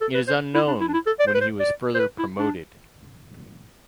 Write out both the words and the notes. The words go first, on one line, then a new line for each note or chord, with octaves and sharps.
It is unknown when he was further promoted.
A4
B4
C5
E4
D4
E4
D4
E4
A4
D5
C5
B4
C5
D5
C5
B4
E4
D4